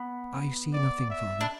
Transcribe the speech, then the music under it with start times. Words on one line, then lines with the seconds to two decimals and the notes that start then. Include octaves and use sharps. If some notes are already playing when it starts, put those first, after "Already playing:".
"I see nothing, father."
Already playing: B3
0.73 D5
1.10 E5
1.41 D4